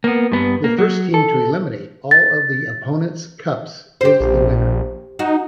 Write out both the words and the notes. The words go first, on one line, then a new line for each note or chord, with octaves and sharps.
The first team to eliminate all of the opponent's cups is the winner.
A#3 B3
G2 B3
A#3
F#3
A4
A6
G4 C5
A#1
D#4 F#4